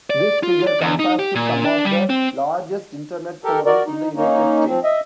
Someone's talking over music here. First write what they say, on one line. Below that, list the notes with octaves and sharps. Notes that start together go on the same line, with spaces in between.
This figure compares to some of the largest Internet forums in the United States.
D5
F4
D5
E2
D#4
G4
A#2
D4
G3
C4
G4 A4 A#4
F#4 A#4 D5
D#4
A#3 C#4 D#4
F3 C4
D#5 E5